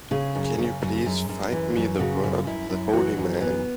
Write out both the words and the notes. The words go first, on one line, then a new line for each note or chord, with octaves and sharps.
Can you please find me the work, The Holy Man?
C#3 G#4
F#2
C#3
F#2
F#2
F#2
E3
F#2
C#3 F#4
F#2
F#2 E4
F#2
E3 F#4
F#2
E3 B3